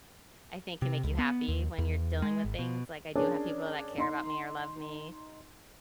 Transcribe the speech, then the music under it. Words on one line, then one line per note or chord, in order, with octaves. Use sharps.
I think, can make you happy when you're dealing with things. Like, I do have people that care about me or love me,
C3
C#2
B3
D#2
E2
G#3
G#1
B2
C#4 D4 G#4 A#4 C#5 D5
D#4 C6